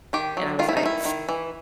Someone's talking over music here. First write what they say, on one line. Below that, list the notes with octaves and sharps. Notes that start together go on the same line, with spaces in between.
and I was, like,
D#3 G4
F#3
D#3 F4
E4
D#4
D#3 E4
D#3
E3